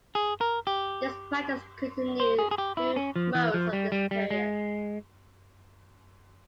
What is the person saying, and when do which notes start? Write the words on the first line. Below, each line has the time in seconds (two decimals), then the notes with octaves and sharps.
This practice continued through most of this period.
0.15 G#4
0.41 A#4
0.67 G4
2.20 C5
2.39 G#4
2.51 G#4
2.58 G4
2.77 E4
2.96 C#4
3.16 F3
3.35 E3
3.54 F3
3.73 G3
3.92 G3
4.11 G3
4.31 G#3